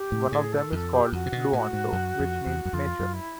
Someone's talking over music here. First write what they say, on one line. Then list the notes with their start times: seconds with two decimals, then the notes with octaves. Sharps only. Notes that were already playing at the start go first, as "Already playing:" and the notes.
One of them is called "luonto", which means "nature".
Already playing: G4
0.12 A2
0.31 A2 G#4
0.52 A4
0.72 F2 A4
0.92 G4
1.12 F2 F#4
1.26 C3
1.32 B2
1.53 A2
1.73 G#2
1.93 F#2
2.20 F2
2.46 E2
2.65 F#2
2.73 F2 F4
3.00 F#2
3.13 E4